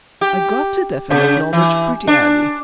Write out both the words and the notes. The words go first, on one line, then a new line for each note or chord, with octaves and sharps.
I got to definite knowledge pretty early.
G4
C#3
E3
D4